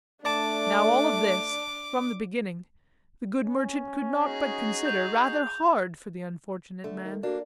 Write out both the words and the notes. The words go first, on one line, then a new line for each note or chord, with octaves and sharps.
Now all of this, from the beginning, the good merchant could not but consider rather hard for the unfortunate man.
A3 D4 D5 A5 D6
C#4
D#4 F#4 G#4
G6 F7
D3 A3
D#3
A#3 D4 F#4